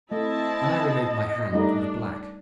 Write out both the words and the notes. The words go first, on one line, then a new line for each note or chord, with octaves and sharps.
When I removed my hand it was black.
A3 C4 E4 D#5 A5
G3 A3 D4 D#4